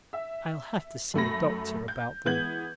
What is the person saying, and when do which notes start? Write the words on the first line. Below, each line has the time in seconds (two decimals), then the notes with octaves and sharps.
I'll have to see a doctor about them.
0.13 E5
1.14 F#2 A3 B5 A#6
1.88 G6
2.25 E3 G#3 B3 G6 G#6 F#7